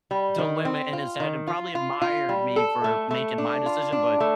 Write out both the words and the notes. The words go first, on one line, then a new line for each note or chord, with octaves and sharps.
dilemma in his head and probably admired me for making my decision, but
G3
D#3
C4
F4
D#3
F4
F4
F4
G3
A4
A3
A3
D4
F4
D4
A3